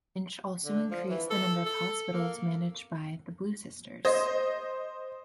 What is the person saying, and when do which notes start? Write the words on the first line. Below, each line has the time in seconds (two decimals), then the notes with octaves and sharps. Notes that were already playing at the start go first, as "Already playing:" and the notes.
Lynch also increased the number of hospitals managed by the "Blue Sisters".
0.64 D3
0.91 F3
1.09 E3
1.30 A4
1.66 A4
2.13 A#3
4.05 C5 D#5